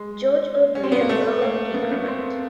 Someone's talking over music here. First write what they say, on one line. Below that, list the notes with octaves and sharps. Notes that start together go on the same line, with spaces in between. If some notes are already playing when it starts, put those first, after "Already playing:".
George O'Brien, Earl of Egremont.
Already playing: G#3
C#4
C4
B3
A#3
A3
A#3
B3
A#3
B3
C4